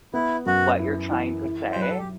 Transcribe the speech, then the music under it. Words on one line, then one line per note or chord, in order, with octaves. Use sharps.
what you're trying to say.
B3 E4
F#2 F#4
E4
E3
E4
C5
F#3
B4
A4
G4